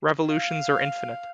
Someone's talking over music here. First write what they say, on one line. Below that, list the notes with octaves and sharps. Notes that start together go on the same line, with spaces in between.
Revolutions are infinite.
F5